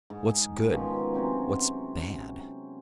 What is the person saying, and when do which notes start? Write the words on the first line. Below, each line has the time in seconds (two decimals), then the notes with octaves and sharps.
What's good, what's bad?
0.10 G#2
0.72 B2 D#3 F3 C#4
1.14 C3 F#3 C4 C#4